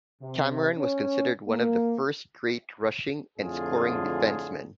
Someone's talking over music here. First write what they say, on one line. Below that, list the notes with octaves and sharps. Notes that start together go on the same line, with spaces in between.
Cameron was considered one of the first great rushing and scoring defencemen.
C3
C#4
A#3
F2 A2 D3 F4 G#4